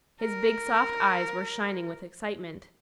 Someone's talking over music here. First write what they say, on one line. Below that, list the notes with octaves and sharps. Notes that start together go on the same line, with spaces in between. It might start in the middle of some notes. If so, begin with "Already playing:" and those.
His big soft eyes were shining with excitement.
A#4